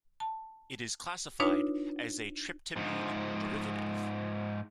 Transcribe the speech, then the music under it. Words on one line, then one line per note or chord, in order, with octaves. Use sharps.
It is classified as a tryptamine derivative.
A5
D4 D#4 F4 B4 C#5
G#2 F3